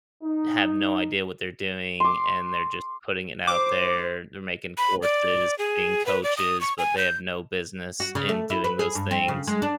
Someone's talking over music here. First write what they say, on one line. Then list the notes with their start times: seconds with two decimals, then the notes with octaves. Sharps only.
have no idea what they're doing, and they're just putting it out there. They're making courses, being coaches, but they have no business in doing those things,
0.24 D#4
2.00 C6 D6
3.47 C5 D6
4.78 B5
5.03 D5
5.58 G#4
6.06 B4
6.23 D5
6.37 D#6
6.61 C#6
6.78 G#5
6.97 G6
8.00 F#4
8.15 C#3
8.29 A3
8.50 E4
8.64 B4
8.79 G#4
8.95 G2
9.11 C4
9.28 C#3
9.47 G#3
9.62 D4